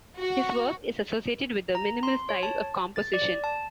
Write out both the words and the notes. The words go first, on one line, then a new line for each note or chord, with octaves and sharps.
His work is associated with the minimal style of composition.
F#4
A#5
C6
C#5
A5
A6
D5
A5